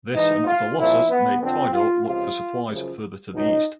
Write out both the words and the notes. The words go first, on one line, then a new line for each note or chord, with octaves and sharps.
This and other losses made Tidore look for supplies further to the east.
G#2 E3 D#4
F4
C2 A#2 F3 E4
B3
F2 D3 F3 C4
F4
C#2 C3 F3 F4
F#2 C#3 F3
C#2 B2 D#4